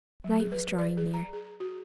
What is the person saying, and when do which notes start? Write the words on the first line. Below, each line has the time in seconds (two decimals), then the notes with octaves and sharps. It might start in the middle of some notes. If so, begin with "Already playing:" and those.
Night was drawing near.
0.24 F#3
0.40 G#4
0.52 B4
0.78 D5
0.97 G#4
1.14 A#5
1.33 G#4
1.60 F#4